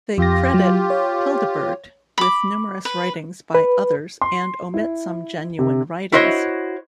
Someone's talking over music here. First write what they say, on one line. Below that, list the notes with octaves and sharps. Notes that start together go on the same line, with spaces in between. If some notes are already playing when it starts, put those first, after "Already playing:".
They credit Hildebert with numerous writings by others and omit some genuine writings.
F2 F4 G4 A#6
F#3
C#5
B5 D6
B4
B4
C6
E4
C3
E4 F#4 C5 C#5 D#5